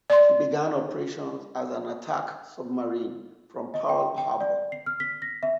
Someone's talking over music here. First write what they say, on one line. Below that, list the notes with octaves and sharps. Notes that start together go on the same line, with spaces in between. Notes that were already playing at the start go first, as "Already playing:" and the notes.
She began operations as an attack submarine from Pearl Harbor.
D5 C6
D#5
G5
G5
D5
C7
F6
B6
A#6
E5